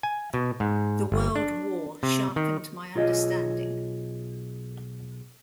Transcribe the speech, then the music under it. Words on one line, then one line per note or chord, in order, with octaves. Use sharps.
The World War sharpened my understanding...
G#5
B2
G#2
G1
D4
C3
D#3
B1 F4 G#4 C#5 D#5